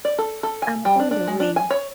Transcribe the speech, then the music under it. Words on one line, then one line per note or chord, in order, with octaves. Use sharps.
I'm on the way.
D5
A4
A4
G#5
G3
D4
D4
G#3
D4
G#5
C#5